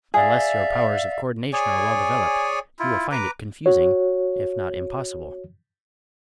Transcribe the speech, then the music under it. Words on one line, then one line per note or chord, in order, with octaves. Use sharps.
Unless your powers of cooerdination are well developed you will find it confusing, if not impossible.
G#4 D5 E5 F5
G#4 C#5 D5 G#5
E4 F4
B4 A#5 D6
F#4 C#5